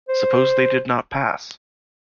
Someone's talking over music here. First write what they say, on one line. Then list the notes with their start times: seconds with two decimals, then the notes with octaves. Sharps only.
Suppose they did not pass!
0.09 C5